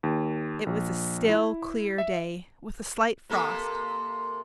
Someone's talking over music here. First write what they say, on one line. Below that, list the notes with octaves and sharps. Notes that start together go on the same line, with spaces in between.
It was a still, clear day, with a slight frost.
D#2
A#1
E4
E5
C3 A#3 A4